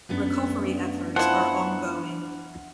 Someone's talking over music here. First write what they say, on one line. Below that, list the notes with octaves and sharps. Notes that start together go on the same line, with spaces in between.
Recovery efforts are on-going.
F#2 A3 B3 D4
F3 E4 F#5